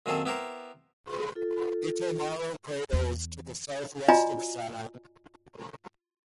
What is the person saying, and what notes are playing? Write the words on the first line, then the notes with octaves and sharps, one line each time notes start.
Hitomaro crater is to the southwest of Sanai.
F#2 A#2 D#3 C4 G#4 A4
B3 E4 G4 A#4 C5
F4 A4
E2
F4 F#4 D5 D#5 G#5 A#5